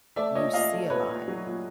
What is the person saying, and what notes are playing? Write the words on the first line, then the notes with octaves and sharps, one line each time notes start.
you see a lot,
A3 D5 E5
A#2 C#5 D#5
A#2 D#5 F5
A3
A#2 B4 C#5
A#2
F#3
A#2